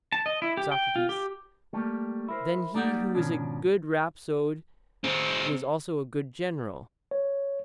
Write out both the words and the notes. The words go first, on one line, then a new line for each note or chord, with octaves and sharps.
SOCRATES: Then he who is a good rhapsode is also a good general?
A5
D#5
E4
G4
G5
F4
G4
G3 A3 A#3 G4
E4 A#4 C5
G3 A#3 D#4 D5 F#5
G#2 B2 D#3 F3 C#4 D4
C4 G#4
C#5